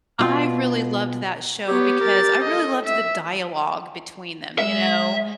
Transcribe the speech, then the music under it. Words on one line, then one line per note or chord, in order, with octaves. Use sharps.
I really loved that show because I really loved the dialogue between them, you know?
B2 F4
B3 G4 C#5
A#4 A6
A4 D#5
E5
G#3 E5